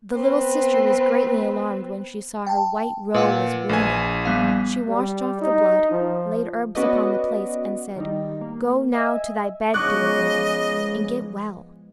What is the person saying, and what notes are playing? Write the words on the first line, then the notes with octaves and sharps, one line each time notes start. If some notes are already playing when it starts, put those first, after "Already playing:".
The little sister was greatly alarmed when she saw her white roe was wounded; she washed off the blood, laid herbs upon the place, and said, "Go now to thy bed, dear Roe, and get well."
B3 C4 B4
G5 A5
A#2 B4 F5 F#5
A#1 G#5
G3 B3 F5
G3
D#4
F3
B3 C#4 F#4 B4 D5 D#5
D#3 G3 D#4
A#3
D#5 E5 G#5
C#3 F3 G#3 B3 D#5 C#6 D6 F#6